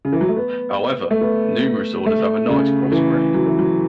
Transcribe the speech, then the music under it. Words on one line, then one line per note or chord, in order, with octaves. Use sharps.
However, numerous orders have a Knight's Cross grade.
C#3
E3
F#3
A3
B3
A3
B3
A3
C#3
C#3
E3
F#3
E3
F#3